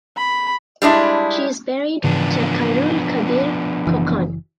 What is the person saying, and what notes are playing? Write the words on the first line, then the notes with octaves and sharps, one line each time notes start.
She is married to Khairul Kabir Khokon.
B5
G3 G#3 D4 E4
G#2 C#3 E3 F3 B3 D4
F#1 E3